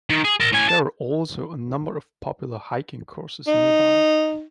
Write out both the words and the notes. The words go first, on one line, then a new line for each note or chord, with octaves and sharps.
There are also a number of popular hiking courses nearby.
D#3
G#4
A#4 A5
A2 G#5
A5
D#4